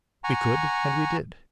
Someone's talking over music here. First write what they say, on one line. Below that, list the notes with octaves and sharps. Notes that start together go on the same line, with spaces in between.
We could, and we did.
F#5 G#5 A#5 C#6